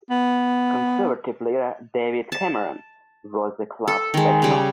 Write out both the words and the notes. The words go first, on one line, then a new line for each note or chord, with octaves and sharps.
Conservative leader David Cameron was the club's patron.
B3
A5
A4
D#3 G#3
C#3 G3